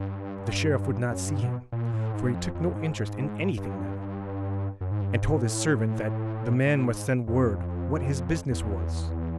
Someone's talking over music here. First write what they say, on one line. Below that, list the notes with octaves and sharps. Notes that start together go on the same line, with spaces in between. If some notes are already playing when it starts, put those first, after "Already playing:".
But the Sheriff would not see him, for he took no interest in anything now, and told his servant that the man must send word what his business was.
Already playing: G2
F#2
G2
B2
A#2
A2
G#2
F2
F2
G#2
G2
F#2
G#2
G2
G#2
A2
A2
G#2
F2
E2